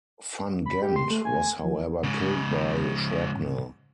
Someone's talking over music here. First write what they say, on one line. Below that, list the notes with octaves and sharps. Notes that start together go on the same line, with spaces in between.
Van Ghent was however killed by shrapnel.
B5
G4
C6
A3
G#5
F3
G#2 C#3